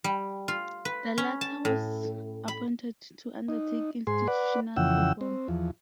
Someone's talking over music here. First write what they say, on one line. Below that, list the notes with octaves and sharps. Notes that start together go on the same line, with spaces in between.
The latter was appointed to undertake institutional reform.
G3
F4
B4
C#4
A5
A2
B5
D#4
G#2 G#4 C6
B4 D5 F#5
F2 C#3 E3 F#5 G5 E6
C4
E2 F3